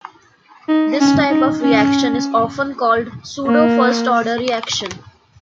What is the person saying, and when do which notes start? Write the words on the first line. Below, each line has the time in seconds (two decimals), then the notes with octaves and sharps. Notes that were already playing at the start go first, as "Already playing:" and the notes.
This type of reaction is often called a pseudo first order reaction.
0.69 D#4
1.00 C#4
1.30 D#4
1.61 C#4
3.46 A#3